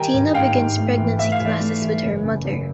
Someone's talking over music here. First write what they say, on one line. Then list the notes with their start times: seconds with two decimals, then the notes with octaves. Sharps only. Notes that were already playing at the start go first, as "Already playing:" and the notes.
Tina begins pregnancy classes with her mother.
Already playing: D#3 G3 G5 G#5 A#5
0.14 G2
0.34 G#2 F5 G5
0.56 G#2
0.76 A3
0.97 E3
1.19 A3 E5
1.32 F5
1.40 E3
1.45 D5 E5
1.60 A3
1.82 E3
2.03 F#1
2.24 C#3
2.45 F#1